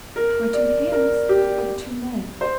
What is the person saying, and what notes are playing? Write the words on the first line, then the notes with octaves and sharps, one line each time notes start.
My two hands are the two men.
A#4
D5
A#4
G4
C5